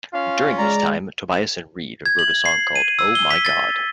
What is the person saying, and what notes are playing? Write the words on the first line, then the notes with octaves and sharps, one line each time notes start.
During this time Tobias and Reed wrote a song called "Oh My God".
C#4 F4 F5
G#3 D5 A#5
G#6
F#7
C7
D#7
E6
G7
B6
A6